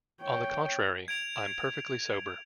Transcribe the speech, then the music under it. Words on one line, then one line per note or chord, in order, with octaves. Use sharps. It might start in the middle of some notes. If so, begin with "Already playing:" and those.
On the contrary, I'm perfectly sober.
C#5 G5
G#6 D7 F7